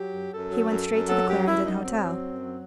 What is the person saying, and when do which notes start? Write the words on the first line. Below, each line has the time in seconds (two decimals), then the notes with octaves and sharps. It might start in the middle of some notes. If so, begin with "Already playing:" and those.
He went straight to the Clarendon Hotel.
Already playing: F#3 G4
0.13 F#2
0.31 F#2 A4
0.50 F#3
0.70 F#2
0.89 F#2
1.07 F#3 A4
1.27 F#2 G4
1.46 F#2 E4
1.64 F#3 D#4
1.84 F#2 C4
2.02 F#3
2.21 F#2
2.40 F#3